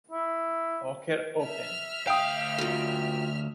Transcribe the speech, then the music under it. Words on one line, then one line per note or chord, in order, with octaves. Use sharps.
Poker Open.
E4
E5 F6
D2 F5 G5 D#6
F#2 A#2